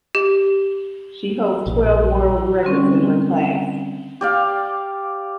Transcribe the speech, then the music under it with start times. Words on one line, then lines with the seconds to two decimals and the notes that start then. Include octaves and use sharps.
She holds twelve world records in her class.
0.15 G4
1.67 A#1
2.63 D3 G3 C4 C#4
4.21 G4 D5 F5